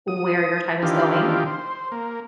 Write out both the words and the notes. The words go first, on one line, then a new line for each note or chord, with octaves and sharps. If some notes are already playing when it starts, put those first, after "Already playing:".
where your time is going
D#6
D#3 E3 D4 F4 G4
C5
A#3